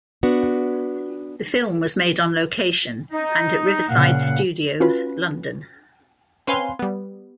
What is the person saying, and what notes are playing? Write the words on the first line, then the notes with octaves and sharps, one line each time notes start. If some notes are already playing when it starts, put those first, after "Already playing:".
The film was made on location and at Riverside Studios, London.
B3 D4 F#4
D#4
A#2 C#3 F5 F#5
C#4 F4 F#4 B4
C4 C#4 B4 F5 G#5 C6
G3 B3